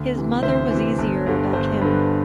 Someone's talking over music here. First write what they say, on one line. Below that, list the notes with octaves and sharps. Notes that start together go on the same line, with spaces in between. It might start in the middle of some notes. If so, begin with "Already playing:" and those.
His mother was easier about him.
Already playing: D2
C3 E3
D2 C5 E5
C3 E3
G1
G2 D3
G1 C5
G2 D3 B4